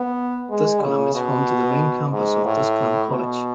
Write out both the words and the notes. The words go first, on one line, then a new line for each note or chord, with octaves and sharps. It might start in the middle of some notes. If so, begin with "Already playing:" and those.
Tusculum is home to the main campus of Tusculum College.
Already playing: B3
G#3
C#3
B2
G#2
A2
B2